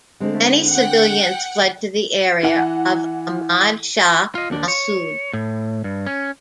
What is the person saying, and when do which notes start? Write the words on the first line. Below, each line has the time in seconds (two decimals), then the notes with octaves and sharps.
Many civilians fled to the area of Ahmad Shah Massoud.
0.20 D3 G#3 C4
0.70 F#5 G5
2.43 E3 F#5
4.35 F4 D#5
4.50 D#2 D4
4.68 C#5
5.33 A2
5.84 G2
6.06 C#4